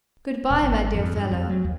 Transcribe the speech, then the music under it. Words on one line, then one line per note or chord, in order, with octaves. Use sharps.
Good-bye, my dear fellow.
D#1
G#1
F2
G2
F2
F#3
D#2